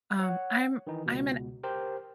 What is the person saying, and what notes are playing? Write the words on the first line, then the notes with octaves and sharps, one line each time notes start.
um I'm I'm an
C#5 F#5
D#3 E3 D#4
C#2 B2
G4 A#4 C5 G5